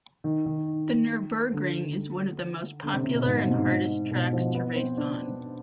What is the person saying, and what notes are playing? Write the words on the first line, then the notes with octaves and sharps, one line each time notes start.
The Nurburgring is one of the most popular and hardest tracks to race on.
D#3
D#3
D3
D3
C3
C3
B2
G#2
B2
C3
G#2
B2
F3
B3
C4
D4